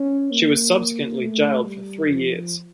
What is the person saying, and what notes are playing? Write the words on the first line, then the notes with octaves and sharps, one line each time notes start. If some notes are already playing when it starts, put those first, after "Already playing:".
She was subsequently jailed for three years.
Already playing: C#4
A#3
A3
G3
F3